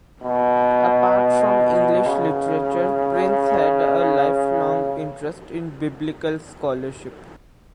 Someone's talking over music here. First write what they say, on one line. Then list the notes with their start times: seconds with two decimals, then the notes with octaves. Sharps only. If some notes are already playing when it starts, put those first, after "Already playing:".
Apart from English literature, Price had a lifelong interest in Biblical scholarship.
0.23 B2
2.06 C#3